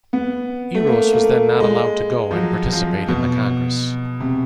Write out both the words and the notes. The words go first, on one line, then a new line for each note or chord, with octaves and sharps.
Eros was then not allowed to go and participate in the congress.
B3
A3
A#3
A#3
A3
G#3
F3
F#3
F3
B2
C3